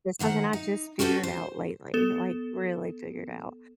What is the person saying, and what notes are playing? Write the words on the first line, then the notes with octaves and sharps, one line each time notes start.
That's something I just figured out lately, like, really figured out.
D2 D#3 F#5 A#5
D#4
C#4 F#4 G4 A4 B4 G5
C5
B3 A4 E7